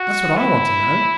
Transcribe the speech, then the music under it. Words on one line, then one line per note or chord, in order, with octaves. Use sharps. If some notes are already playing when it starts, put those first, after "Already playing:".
That's what I want to know.
Already playing: F#4
E4